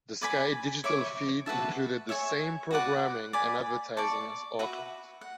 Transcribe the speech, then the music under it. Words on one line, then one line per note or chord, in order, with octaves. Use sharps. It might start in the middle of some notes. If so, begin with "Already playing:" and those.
The Sky Digital feed included the same programming and advertising as Auckland.
B4 D5 G#5 B5
C#5 E5 B5 D6
F#4 B4 E5 A5
C#5 E5 G#5 C#6
F#4 B4 D5 F#5
D5 G#5 B5
D5 A5 C#6
F#4 B4 E5
F#5